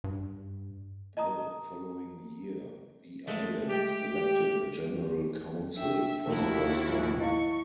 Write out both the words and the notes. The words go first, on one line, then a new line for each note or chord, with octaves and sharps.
The following year the islands elected a General Council for the first time.
G2
D#5 A5 A#5 D#6
G#3 A3
G4
D4 E5 G5
F1 D#2 A3 E4 F#4
B6
A2 F3 G#3
E4 D#5 F5 C#6